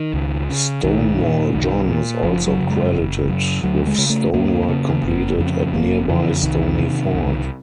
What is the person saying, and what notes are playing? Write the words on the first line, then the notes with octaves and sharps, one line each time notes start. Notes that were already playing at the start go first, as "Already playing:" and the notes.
Stonewall John is also credited with stonework completed at nearby Stony Fort.
Already playing: D#3
C#2
C#3
B1 D#3
A#2
B1
A#2
F#1 F3
F#3
F#2 C#3
G#3
F#1
F#2 C#3
D2 F#3
G#3
C#3
A3
D2 A#3
C#3
F#1
F2 C#3
F#1 A#3
F2 C#3 E3
C2 D#3
C3
C2